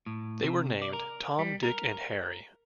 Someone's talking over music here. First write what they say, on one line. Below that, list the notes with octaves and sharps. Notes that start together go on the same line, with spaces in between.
They were named Tom, Dick and Harry.
A2
C3
D5
A#4
G3
A#4